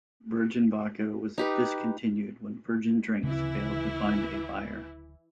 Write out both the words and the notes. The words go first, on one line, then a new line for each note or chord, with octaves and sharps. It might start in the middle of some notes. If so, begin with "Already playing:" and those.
Virgin Vodka was discontinued when Virgin Drinks failed to find a buyer.
D#4 G4 B4
D1 C#3 E3 C4 E4